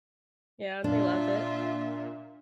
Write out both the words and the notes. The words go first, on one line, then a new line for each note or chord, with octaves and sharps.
Yeah, they love it.
A#2 D4 F4 E5